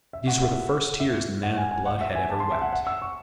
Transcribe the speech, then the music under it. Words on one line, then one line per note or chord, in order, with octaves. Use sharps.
These were the first tears the man of blood had ever wept.
E5
F#5
E5
E5
F#5
G#5
G#5
F#5
E5
G#5
A5
C6
E5
F#5
F#5
E6
C#6